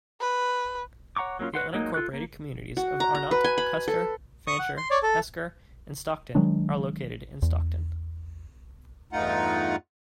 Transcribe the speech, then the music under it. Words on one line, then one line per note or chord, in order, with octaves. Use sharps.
The unincorporated communities of Arnott, Custer, Fancher, Esker, and Stockton are located in Stockton.
B4
C#5 F#5 A#5 C#6 D6
F#3 A#3 C#4 E4 F4
F#4 B4 F#5 C6
F#3 G#3 A#3 D#4
F4 A4 F#6
A#3
F#4
A#5
A#5
B4
G#5
B5
A4
C#6 D#6
F#5
C6
C#5 D5
A4
D#3 F#3 G#3 D4
E2
E2 G2 A3 D#4 F4 F#5